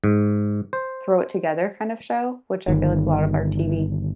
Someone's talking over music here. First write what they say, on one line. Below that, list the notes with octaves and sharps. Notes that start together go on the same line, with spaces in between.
throw it together kind of show, which I feel like a lot of our TV
G#2
C5
G1 D#3